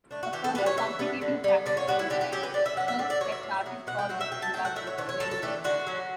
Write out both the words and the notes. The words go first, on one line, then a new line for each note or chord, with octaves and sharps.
A further complicating factor is that Kirk has started falling in love with Lenore.
A3 D4
F#4
E3 G4
A4
G3 B3 D4 B4
C#5
E3 E5
G3 B3 D4
D3
G3 B3
D3 D5
C#5
G3 B3 F#4
E4
D3 G4
G4
F#3 C#4 G4
B4
D3 D5
E5
F#3 C#4 F#5
E5
A2 D5
D5
F#3 B3 C#5
E5
A2
F#3 B3
B2 F#5
G5
F#3 A3 F#5
E5
B2 G5
A5
F#3 A3 G5
F#5
A2 E5
C#5
E3 A3 D4 C#5
C#5
A2 A4
A4
E3 A3 D4 G4
D3 F#4
F#3 C#4